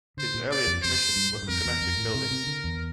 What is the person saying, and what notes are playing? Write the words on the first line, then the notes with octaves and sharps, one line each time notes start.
His earliest commissions were for domestic buildings.
D3 C5
A#2
D5
F2
F2 C5
G2
A2
G2
F2 A#4
E2
F2
A2
C3
C3
D3
E2